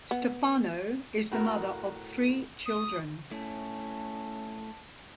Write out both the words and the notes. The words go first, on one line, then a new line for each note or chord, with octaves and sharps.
Stefano is the mother of three children.
B3
A2 F#4 A#4
D#6
A3 C#4 E4 A5